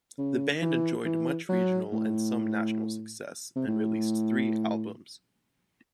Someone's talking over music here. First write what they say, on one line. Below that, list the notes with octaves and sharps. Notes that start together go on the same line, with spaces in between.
The band enjoyed much regional and some national success, and released three albums.
C#3
E3
E3
F#3
A2
C3
A2